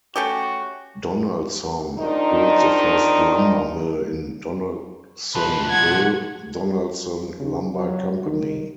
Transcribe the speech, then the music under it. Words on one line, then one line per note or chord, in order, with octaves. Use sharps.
Donalson built the first lumber mill in Donalsonville, Donalson Lumber Company.
A3 C#4 F#4 G4
D#3 F3 D4 D#4
B1 F3 B4
F#5 G#6
C#3
F#3
D#3